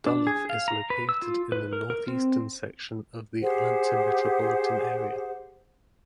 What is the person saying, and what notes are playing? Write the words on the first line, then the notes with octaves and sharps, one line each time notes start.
Duluth is located in the northeastern section of the Atlanta metropolitan area.
D4
G#4
F5
A#5
B4
E6
F4
B4
A#4
A#4
C4
G4 G#4 C5 F#5